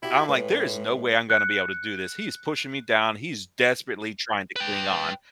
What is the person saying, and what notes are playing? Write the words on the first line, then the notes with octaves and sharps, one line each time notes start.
I'm like, "There is no way I'm gonna be able to do this, he is pushing me down, he's desperately trying to cling on."
E4 F#4 G4
A2 G#3 B4
F#6 C#7
B4 G5